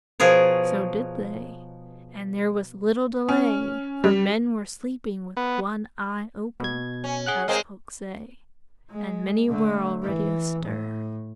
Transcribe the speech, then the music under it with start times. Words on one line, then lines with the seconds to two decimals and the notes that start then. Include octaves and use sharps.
So did they, and there was little delay, for men were sleeping with one eye open, as folk say, and many were already astir.
0.20 B2 F3 G#4 A#4 C#5
3.29 C#4
4.04 G3
5.37 B3
6.60 B2 G#6
7.04 C#4
7.26 G#4 F#5 F#6
7.48 G#3 C4 G#4 A#4 F5
8.91 G#3
9.48 D3 A3
10.02 E3
10.64 A2